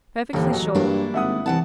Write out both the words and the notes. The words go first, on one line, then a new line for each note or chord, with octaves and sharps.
"Perfectly sure."
D#1 D#2 D3 E3
D#3 F#3
G2 A#3 D4 E4
G#1 E5 F#5 D#6
C2 E3 F#5 A5